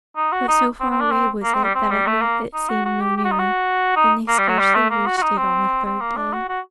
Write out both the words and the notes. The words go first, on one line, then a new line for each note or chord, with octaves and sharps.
But so far away was it that at night it seemed no nearer, and they scarcely reached it on the third day.
D#4
F#4
D#4
C4
C4
D4
C4
A#3
C4
G3
C4
G3
A3
A#3
D#4
F#4
F#4
G4
G4
F#4
D#4
F#4
D#4
A#3
G3
F#3
G3
A3
A#3
F#4
F#4
D#4
C4
C4
A#3
D4
F#4
F#4